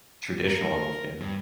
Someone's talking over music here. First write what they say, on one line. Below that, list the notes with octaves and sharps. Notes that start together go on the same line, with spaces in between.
traditional, almost, yeah.
A#4
G2